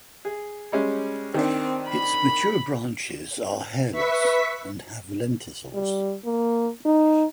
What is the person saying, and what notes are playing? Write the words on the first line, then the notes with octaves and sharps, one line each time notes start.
Its mature branches are hairless and have lenticels.
G#4
G3 G#3 C#4
D#3 C4 D4
B5
B4 E5 C#6 B6
G3
A#3
D#4